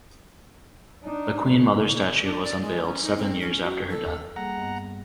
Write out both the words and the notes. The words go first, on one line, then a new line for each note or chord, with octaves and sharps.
The Queen Mother statue was unveiled seven years after her death.
D4 D#4
A#2 C#3
D4
D5
G#3
C#4
D#4
C4
C#4
F#4
A4
G3 A#3 G#4 F#5 A#5
G2 B3 D#5